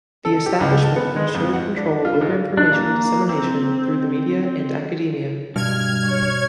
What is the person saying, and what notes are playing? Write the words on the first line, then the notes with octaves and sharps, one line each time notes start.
The Establishment ensured control over information dissemination through the media and academia.
A4
G4
C#2
A5
B3
G#3
F2
F#5
D4
F4
G#2
D4
A#3
C4
G2 B2 F6 G#6
C#5